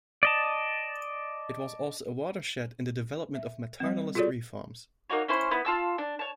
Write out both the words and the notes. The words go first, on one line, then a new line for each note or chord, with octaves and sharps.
It was also a watershed in the development of maternalist reforms.
D5 D#5 A5
E5
G3 C4
F4 F#4 G#4 A4 C#5 D5
A#3 D#4 F#4 C#5
C#4 E4 C5 C6
B3 E4
F4 A5 E6
D4
C#5 A5